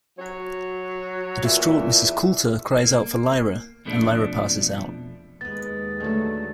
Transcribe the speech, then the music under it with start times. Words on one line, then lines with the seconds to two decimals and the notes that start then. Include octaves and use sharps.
A distraught Mrs. Coulter cries out for Lyra, and Lyra passes out.
0.18 F#3 C#5
1.43 E2 A#2 E3 E5
2.80 A#3
3.85 F2 B2 F3 A3 B3 D4
5.41 D#2 G#3 B3 B4 A6
6.00 D3 F#3 A3